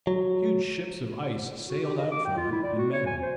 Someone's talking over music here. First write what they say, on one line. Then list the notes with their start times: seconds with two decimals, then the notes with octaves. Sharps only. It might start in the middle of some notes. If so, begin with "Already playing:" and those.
Huge ships of ice sailed out from it and met him.
0.07 F#3
1.69 F#4
1.83 G4
1.97 D#5
2.12 D6
2.25 G5
2.37 F4
2.52 E4
2.63 D5
2.77 F#4
2.93 C#5
3.06 G#5
3.22 C5